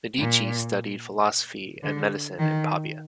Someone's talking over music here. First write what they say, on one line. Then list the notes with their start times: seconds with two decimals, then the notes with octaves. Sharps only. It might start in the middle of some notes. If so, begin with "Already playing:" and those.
Medici studied philosophy and medicine in Pavia.
0.19 A#2
1.83 D3
2.38 D#3